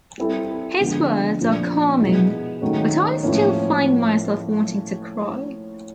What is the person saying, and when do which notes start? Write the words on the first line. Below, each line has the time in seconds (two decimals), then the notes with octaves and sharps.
His words are calming, but I still find myself wanting to cry.
0.18 G3 C4 E4 A4
0.79 D3 F3 G#3 B3
1.40 A#2 F3 A#3 D4
2.01 B2 G#3 B3 E4
2.62 D#3 F#3 A3 C#4
3.23 A2 F3 A#3 C#4